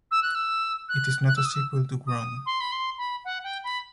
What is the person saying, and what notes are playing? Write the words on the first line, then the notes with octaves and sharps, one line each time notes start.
It is not a sequel to "Wrong".
E6
F#6
E6
F#6
F#6
E6
D#6
E6
D#6
C6
B5
C6
B5
F#5
G5
B5